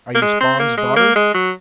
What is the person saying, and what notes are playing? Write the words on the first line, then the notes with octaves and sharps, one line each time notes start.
"Are you Spawn's daughter?"
A#3
G#3
C4
A#3
G#3
A#3
G#3
F#3